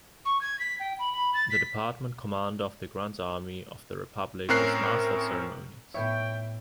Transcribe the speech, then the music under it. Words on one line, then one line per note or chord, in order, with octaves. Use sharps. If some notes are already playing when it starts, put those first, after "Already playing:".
The Department Commander of the Grand Army of the Republic was master of ceremonies.
C#6
G#6
B6
G5
B5
B5
A6
B6
A2 C4 C#4 A#4 F#6 C7
A2 B3 C#5 E5 G5